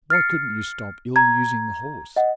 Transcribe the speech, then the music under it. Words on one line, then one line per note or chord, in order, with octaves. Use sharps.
Why couldn't you stop ill-using the horse?
F6 A6 C7 C#7
A#5 G#6
D#5 F#5